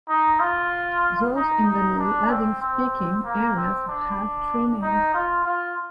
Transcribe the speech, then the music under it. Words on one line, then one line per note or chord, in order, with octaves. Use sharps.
Those in the Ladin-speaking areas have three names.
D#4
F4
D#4
D#4
D4
C4
C4
A#3
C4
D4
D#4
F4
F4